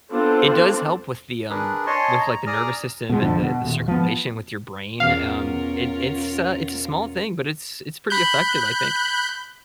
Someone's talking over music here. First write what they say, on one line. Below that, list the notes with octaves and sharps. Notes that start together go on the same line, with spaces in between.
It does help with the, um with, like, the nervous system and the the circulation with your brain. Um, it it's uh, it's a small thing, but it's it's pretty effective, I think.
B3 C4 D4 F4 A4 C5
D4 G#4 A#4 B4
C#5 D#5 G#5 A5 C6 C#6
A#5
G#4 D5 A#5 D#6 F6
B2 G#3
G#1 F2 D3 F3
B2
D#1
F3 B3
E2 B2 C#4 F4 A#4 F5
B5 F#6 G6